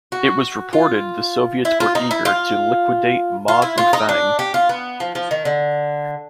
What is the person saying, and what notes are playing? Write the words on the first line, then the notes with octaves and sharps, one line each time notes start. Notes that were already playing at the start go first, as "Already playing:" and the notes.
It was reported the Soviets were eager to "liquidate" Ma Bufang.
F#4
F4
E4
F4
D#4
E4
F4
F4
E4
F4
D#4
D4
G4
F4
B3
F3
F3
D#3
D3